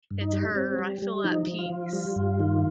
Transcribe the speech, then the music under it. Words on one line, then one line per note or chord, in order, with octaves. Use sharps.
it's her. I feel at peace."
G2
D#4
G3
G3 C4
G3
G3
F3 D#4
F3
F4
F3
G3
G2
D#3